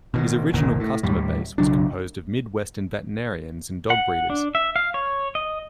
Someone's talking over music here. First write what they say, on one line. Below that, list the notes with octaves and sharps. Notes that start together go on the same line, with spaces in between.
His original customer base was composed of Midwestern veterinarians and dog breeders.
B2 D3 D#3
F#1 C2 A#2 D#3
A2
D#2 A2 G3
B1 C#3 F#3 D4
F#5
D4
E5
F5
C#5
D#5